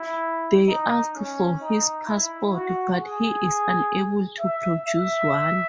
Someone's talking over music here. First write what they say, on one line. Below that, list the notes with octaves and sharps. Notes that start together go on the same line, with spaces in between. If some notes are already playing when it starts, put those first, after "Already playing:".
They ask for his passport, but he is unable to produce one.
Already playing: E4
D#4
C#4
D#4
E4
F#4
G#4
E5
E5